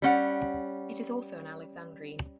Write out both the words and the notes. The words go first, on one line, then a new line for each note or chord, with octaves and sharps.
It is also an alexandrine.
G3 C#4 F#5